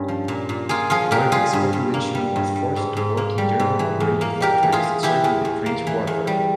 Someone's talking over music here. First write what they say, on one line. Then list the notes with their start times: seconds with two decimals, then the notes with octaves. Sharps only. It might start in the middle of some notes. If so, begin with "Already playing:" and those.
Wervik's population was forced to work in German operated factories serving the trench warfare.
Already playing: G2 A#3 C#4
0.08 F3
0.28 A#2
0.49 A#2
0.69 A#3 F4 G#4
0.90 F3 F4 G#4
1.11 A#2 G4 A#4
1.32 G3 F4 G#4
1.53 G2
1.73 G2
1.94 A#3
2.15 G3
2.36 G2
2.56 G3
2.76 G#2
2.97 G#2
3.17 A#3
3.38 G3
3.59 G#2
3.79 E3
4.00 E2
4.21 A#3
4.40 G3 G4 A#4
4.63 E3
4.72 F4 G#4
4.83 E2
5.03 E3 E4 G4
5.24 E2
5.45 E2
5.66 A#3
5.87 E3
6.07 E2
6.27 G3